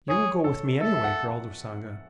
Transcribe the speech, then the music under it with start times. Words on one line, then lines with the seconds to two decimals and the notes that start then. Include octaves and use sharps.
"You will go with me anyway," growled Usanga.
0.08 G#4 C#5
0.44 A4
0.80 A4 E5
0.95 E5
1.04 F#5
1.28 A5